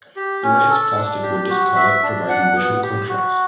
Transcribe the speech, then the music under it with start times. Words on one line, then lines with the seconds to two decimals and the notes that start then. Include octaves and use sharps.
The raised plastic would discolor, providing visual contrast.
0.16 G4
0.43 C#4
0.70 A4
0.96 D4
1.23 G4
1.50 F#4
1.76 E5
2.03 D4
2.29 F#5
2.56 B3
2.83 G4
3.09 F#4